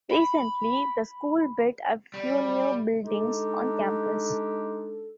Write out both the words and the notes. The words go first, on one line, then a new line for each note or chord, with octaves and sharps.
Recently, the school built a few new buildings on campus.
B5
G3
G#3 D4 D#4 G4 A4